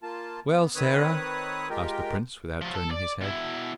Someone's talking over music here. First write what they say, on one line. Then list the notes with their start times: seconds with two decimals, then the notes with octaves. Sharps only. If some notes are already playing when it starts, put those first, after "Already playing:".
"Well, Sarah?" asked the prince, without turning his head.
0.03 A#3 F4 A5
0.49 B3
0.75 D#3 C4 B4 C#5 D#6 F#6
1.70 G#3 F4 G4 A#4 G5
2.61 F3 F#3
2.75 A4
2.91 D5
3.21 B2 E4